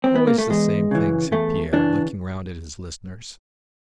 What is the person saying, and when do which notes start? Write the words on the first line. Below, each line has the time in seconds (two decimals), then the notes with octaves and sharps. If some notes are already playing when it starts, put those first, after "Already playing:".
"Always the same thing," said Pierre, looking round at his listeners.
0.04 C4
0.15 B3
0.27 A#3
0.38 A3
0.50 E2 G#3
0.91 C#3 E3
1.32 E2 A3
1.73 C#3 E3 D4